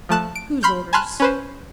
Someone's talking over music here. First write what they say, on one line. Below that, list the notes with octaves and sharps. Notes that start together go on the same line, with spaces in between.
"Whose orders?"
F3 A3 A5 F#6
D7
B5 C6 F6 G6
G#5 A5 B5 C6 F6 F#6
C#4 B4 C5